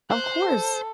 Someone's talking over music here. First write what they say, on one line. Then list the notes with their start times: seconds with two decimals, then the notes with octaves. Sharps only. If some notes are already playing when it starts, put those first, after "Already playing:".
Of course.
0.11 C5 F#6
0.46 A4